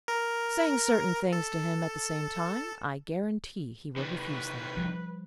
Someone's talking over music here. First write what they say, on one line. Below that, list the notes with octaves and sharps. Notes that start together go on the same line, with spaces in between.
"Saying certain things to him at the same time, I guarantee he will refuse them."
A#4
A4
C3 D#3 B4
F3 G3